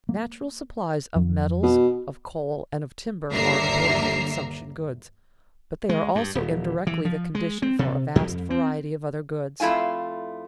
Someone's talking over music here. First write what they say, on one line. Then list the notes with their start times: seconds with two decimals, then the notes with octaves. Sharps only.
Natural supplies of metals, of coal, and of timber are important consumption goods, but they are also indirectly the condition for a vast variety of other goods.
0.09 A#3
1.15 F2 F3
1.63 B2
3.30 G1 D#2 D3 E5 A#5 C7
5.89 G#3
6.15 G2
6.35 D#1
6.87 E3
7.05 F3
7.35 G#3
7.62 C4
7.79 C3
8.16 F2
8.50 C4
9.60 F2 A3 E4 F4 G#5